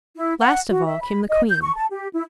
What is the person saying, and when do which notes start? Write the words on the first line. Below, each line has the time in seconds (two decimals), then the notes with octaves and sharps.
Last of all came the Queen.
0.16 E4
0.40 F#5
0.71 F#4
0.87 E5
1.02 B5
1.29 D#5
1.49 G6
1.61 C#6
1.76 A5
1.91 G4
2.13 E4